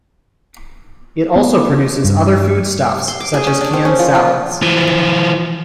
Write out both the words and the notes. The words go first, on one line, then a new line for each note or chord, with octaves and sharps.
It also produces other foodstuffs such as canned salads.
B3
G2
C6
D6
G#4
C#4
D4
C4
C#4
F3
F4
E3 F3